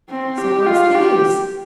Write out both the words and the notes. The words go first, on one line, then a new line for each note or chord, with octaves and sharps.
So what's the use?
C4
G4
F4
G4